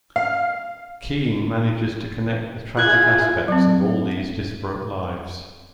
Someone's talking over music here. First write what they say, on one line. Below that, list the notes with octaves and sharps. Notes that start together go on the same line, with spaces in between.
Keen manages to connect the tragic aspects of all these disparate lives.
F5
E4 F4 G#4 F#6 G#6
F#3 C4